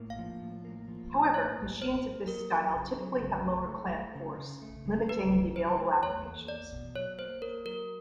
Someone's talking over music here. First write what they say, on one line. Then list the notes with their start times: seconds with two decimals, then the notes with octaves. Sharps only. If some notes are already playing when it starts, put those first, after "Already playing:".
However, machines of this style typically have lower clamp force, limiting the available applications.
Already playing: A2 A#3
0.10 F5
0.18 F3
0.41 A2
0.65 A#3
0.88 F3
1.11 A2
1.34 A#3 C#5
1.58 A2
1.81 A#3 C5
2.05 A#3
2.28 F#3 A#4
2.52 F#3
2.74 C#3
2.98 F#3
3.22 C#3
3.45 A3
3.68 A3
3.92 A3
4.15 C#3
4.38 C#3
4.62 A3
4.86 C#3
5.08 A3 B4
5.32 C#3
5.55 F#3 C5
5.79 A3
6.02 E2 C#5
6.26 A#3
6.48 E2 D5
6.73 B2
6.95 F#3 C#5
7.18 A#3 C5
7.42 A#3 A#4
7.65 F#3 A#4